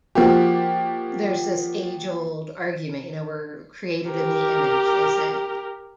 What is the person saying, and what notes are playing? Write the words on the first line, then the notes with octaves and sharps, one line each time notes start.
There's this age-old argument, you know, we're created in the image, they say,
F3 A#3 F#4 G4
G4 A#4